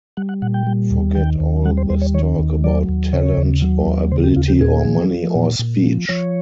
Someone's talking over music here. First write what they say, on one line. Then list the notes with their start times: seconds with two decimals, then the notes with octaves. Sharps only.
Forget all this talk about talent or ability or money or speech.
0.17 G3 F#5
0.29 F#5
0.42 A#2 F#5
0.54 G5
0.67 G3
0.91 D#2
1.15 D#3 G5
1.40 D#2
1.65 G3 F#5
1.77 C5
1.90 D#2 C5
2.01 C#5
2.14 D#3 C#5
2.39 D#2
2.64 F#3 D5
2.89 D#2
3.13 C#3 C#5
3.37 D#2
3.62 F#3
3.87 D#2
4.12 C#3 C5
4.23 G4
4.36 D#2 F4
4.48 G4
4.60 A#2 G#4
4.85 F3
5.10 F3
5.35 A#2
5.59 A#2
5.84 F3
6.09 F3 C#5